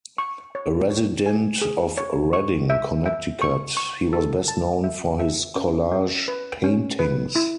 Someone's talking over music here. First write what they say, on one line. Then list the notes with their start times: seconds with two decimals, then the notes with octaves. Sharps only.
A resident of Redding, Connecticut, he was best known for his collage paintings.
0.18 C#6
0.55 C#5
0.90 C#5
1.26 G#5
1.62 G#4
1.97 C#5
2.33 C#6
2.70 E5
3.06 E5
3.42 C#6
3.77 C#6
4.13 A4
4.48 A5
4.84 E5
5.20 E5
5.56 C#4
5.92 C#4
6.28 B4
6.64 C#4
6.99 B4
7.36 E4